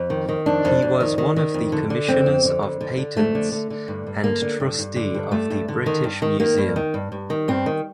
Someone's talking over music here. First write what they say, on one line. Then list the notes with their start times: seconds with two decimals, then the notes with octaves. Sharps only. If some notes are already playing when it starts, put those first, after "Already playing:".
He was one of the commissioners of patents, and trustee of the British Museum.
Already playing: F2
0.10 D#3
0.29 D#3
0.46 F2 D4
0.65 F2
0.82 F2
1.00 D#3
1.18 D#3
1.36 D#3
1.54 F2
1.72 D3
1.90 D3
2.08 F2 C4
2.26 F2
2.45 D3
2.63 F2
2.81 D3
2.98 D3
3.16 F2 A3
3.35 D3
3.52 D3
3.70 D3
3.88 G2
4.07 G2
4.24 D3 A#3
4.42 D3
4.60 G2
4.79 G2
4.96 D3
5.14 G2
5.31 G2 A3
5.50 G2
5.68 D3
5.86 D#3
6.04 G2
6.22 D#3
6.40 D#3 A#3
6.58 G2
6.76 D#3
6.94 G2
7.12 G2
7.30 D#3
7.48 G2 C4
7.66 D#3